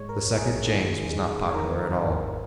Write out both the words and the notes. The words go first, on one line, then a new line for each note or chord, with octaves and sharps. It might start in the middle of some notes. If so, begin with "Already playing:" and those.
The second James was not popular at all.
Already playing: G#2 G#3 C#5
A#4
A#1
G#4
D#3 G#4
G#3
C#5
D#3 A#4
G#1